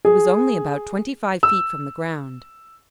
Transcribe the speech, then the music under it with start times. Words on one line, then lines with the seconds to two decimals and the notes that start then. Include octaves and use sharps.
He was only about twenty-five feet from the ground.
0.05 G#4
1.43 E6